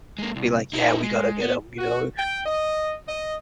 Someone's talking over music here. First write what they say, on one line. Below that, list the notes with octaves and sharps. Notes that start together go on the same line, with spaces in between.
be like, "Yeah. We gotta get him," you know,
G#3 A#3
C2
D#4 E4
G#3
B3
F#4
G5
D#5
D#5